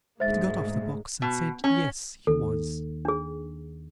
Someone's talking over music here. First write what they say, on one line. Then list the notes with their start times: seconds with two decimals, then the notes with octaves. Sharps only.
Kit got off the box, and said yes, he was.
0.20 D2 G#2 G#3 A#3 C5 E5 A6
1.22 B2
1.64 C#4
2.27 D#2 A4
3.05 D4 G#4